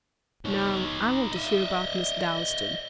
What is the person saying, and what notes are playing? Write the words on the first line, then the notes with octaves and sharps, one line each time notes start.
Now I want to hear about Miss Dalstan.
D#4 C#5
D#5 E5